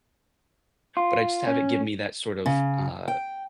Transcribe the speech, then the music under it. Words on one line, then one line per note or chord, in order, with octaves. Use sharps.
But I just have it give me that sort of, uh,
F4
C#4
C#3
G5